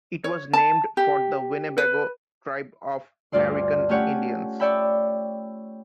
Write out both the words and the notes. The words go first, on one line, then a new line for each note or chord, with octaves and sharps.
It was named for the Winnebago Tribe of American Indians.
C#5
A5
G4
B4
D2 G2 F4 D5 C6
A3 C#4 F4 G4 C#5 F#5
C#5 D5 E5 G5 B5